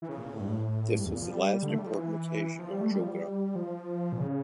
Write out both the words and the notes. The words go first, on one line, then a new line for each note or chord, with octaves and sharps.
This was the last important occasion in Jugra.
E3
C#3
A#2
C#3
A2
G2
A2
G2
E2
A#2
F3
G3
D3
A3
G3
F3
E3
E3
F3
G3
A3
G3
F3
G3
F3
A#2
C#3